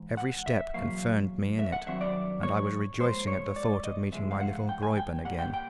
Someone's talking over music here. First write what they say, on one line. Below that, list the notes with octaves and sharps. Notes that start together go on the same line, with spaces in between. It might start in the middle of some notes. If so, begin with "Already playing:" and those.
Every step confirmed me in it, and I was rejoicing at the thought of meeting my little Graeuben again.
Already playing: G#2 E3 G#3
F#5
E5
E2 B2 F#3 A#3 F5
E5
F#5
G2 D#3 F#3 C4 E5
D5
C#5
G#2 F3 A#3 C5
C#5
D5
D#5
E2 C#3 F3 G#3 E5
F5
F#5
G5
G#5
G5
A#2 G3 A#3 F#5
G5
G5